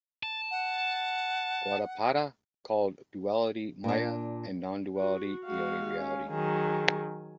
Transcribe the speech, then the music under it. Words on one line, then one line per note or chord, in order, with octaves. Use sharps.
Gaudapada called duality Maya, and non-duality, the only reality.
A5
F#5
A#2 D4
F#4
G#3 F#4 F5
C#4
D#3 F#3 G#4